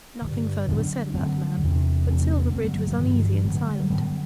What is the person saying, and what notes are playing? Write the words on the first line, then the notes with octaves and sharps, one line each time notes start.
Nothing further was said about the man, but Silverbridge was uneasy and silent.
G2 D3
F#2 D3 B3 D4
D4
F#2 D3 A3 C4
E2 C3
E2 C3 A3 C4
A3 C4
B3 D4
G2 D3 A3 C4
G3 B3
F#3 A3
F#3 A3
G2 D3 E3 G3
D3 F#3
E3 G3
E3 G3
F#2 D3 B3
A3
G3
F#3 A3
F#2 D3 G3 B3